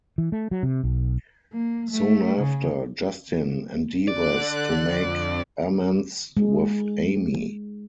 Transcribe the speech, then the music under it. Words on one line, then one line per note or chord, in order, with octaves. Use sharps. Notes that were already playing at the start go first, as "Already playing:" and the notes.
Soon after, Justin endeavors to make amends with Amy.
E3
A3
F#3
C3
B1
A#3
A3
C#3
D3 D5 F#6
F2
G#3